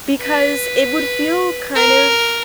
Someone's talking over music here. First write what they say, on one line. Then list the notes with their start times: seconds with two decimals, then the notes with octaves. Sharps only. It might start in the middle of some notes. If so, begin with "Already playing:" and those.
because it would feel kind of
0.21 B4
1.75 A#4